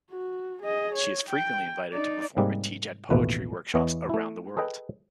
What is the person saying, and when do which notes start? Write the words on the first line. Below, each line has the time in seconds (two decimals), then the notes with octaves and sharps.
She is frequently invited to perform and teach at poetry workshops around the world.
0.12 F#4
0.62 G#4 D#5
0.95 C#5
1.29 G5
1.93 D#4 D5
2.37 G#2 C3 G3 G#3 A#3
3.10 A1 D#2 B2 A3 F4 B4
3.74 E2 E3 B3 C#5 D#5
4.10 A3 E4
4.57 G#4 A4 B4 D#5 G5 G#5